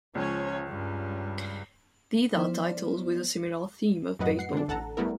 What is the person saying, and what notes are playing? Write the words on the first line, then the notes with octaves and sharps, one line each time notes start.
These are titles with a similar theme of baseball.
C#2 F3 C#4 C#5
G2 G3 C#4
F3 B3 E4 C5 D5
F#2 A2 F#3 B4 D#5 F#5
F#5 C7 C#7
D3 D4
A1 A4 F#5 A5 A#5
G3 A3 B3 E4 A#4